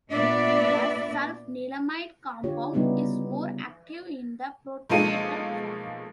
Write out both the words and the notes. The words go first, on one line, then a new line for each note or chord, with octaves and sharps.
The sulfanilamide compound is more active in the protonated form.
A#2 B3 D4 D5 E5
D3 F4 G4 C#5
C#3 G3 B3 D#4 E4 G4
B1 F3 G#3 A#3 A4 D#7